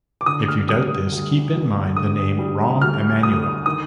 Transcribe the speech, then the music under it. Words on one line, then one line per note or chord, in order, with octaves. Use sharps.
If you doubt this, keep in mind the name Rahm Emanuel.
D6
D3 D#6
F6
G3 D#6
D2
D2
D3 D#6
G3
D2 F6
D2 D#6
D#3 D#6